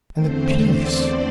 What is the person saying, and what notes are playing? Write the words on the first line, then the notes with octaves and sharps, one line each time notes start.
And the peace!
E2 D3 A3 C4 C5
D5